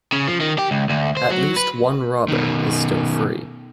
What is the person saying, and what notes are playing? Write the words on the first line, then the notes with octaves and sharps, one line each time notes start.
At least one robber is still free.
C#3
F3
D#3
G4
C#2
D2
C5
F#3
B4
B2 D#3